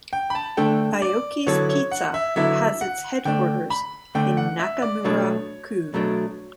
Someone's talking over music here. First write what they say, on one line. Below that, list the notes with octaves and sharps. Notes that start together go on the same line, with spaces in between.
Aoki's Pizza has its headquarters in Nakamura-ku.
G5
B5
A5
D3 A3 D4 A4 G5
D5
D3 F#3 B3 E4 A4 C#5
C#5
F#5
E5
D3 F#3 B3 E4 A4 E5
F#5
D3 A3 D4 G5
B5
D3 A3 D4 G5
F#5
E5
D5
B2 F#3 A3 D4 C#5
B2 F#3 A3 D4